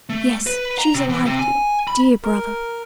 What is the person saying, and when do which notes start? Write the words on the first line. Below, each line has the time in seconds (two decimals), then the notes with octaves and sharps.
'Yes, she is alive, dear, dear brother!
0.09 A3
0.47 B4
0.79 A#5
0.94 C3
1.09 E3
1.25 C3
1.39 G#5
1.87 B5
2.24 A#4